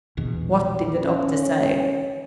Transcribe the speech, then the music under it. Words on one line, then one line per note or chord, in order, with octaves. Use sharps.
"What did the doctor say?"
A#1 E2 B2
C#4